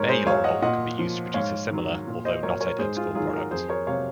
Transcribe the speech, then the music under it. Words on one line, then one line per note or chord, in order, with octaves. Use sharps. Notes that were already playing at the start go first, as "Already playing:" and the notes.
Bay laurel can be used to produce a similar, although not identical, product.
Already playing: G#2 A#4 C#5
G#4 C5
F#3 C#5 F5
D#5 F#5
A#2 D#5 F#5
F3
G#2 C#5 F5
D#3 F#3
A#2
C5 D#5
F#3 A#4 C#5
A#4 C#5
G#2 G#4 C5
F4 G#4
D#3 F#3 F4 G#4
F#4 A#4
F2 G#4 C5
A#4 C#5
C3 F#3 C#5 F5